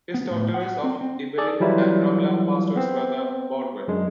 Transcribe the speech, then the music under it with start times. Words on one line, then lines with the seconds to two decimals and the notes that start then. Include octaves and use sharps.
His territories of Ibelin and Ramla passed to his brother Baldwin.
0.14 B3
0.30 A2
0.54 F#5
0.84 C4
1.01 C4
1.38 G#4 A4 D5
1.60 E3 F#3 G3 E4 F4
2.76 B3 C4
3.88 F#2 G#3 D4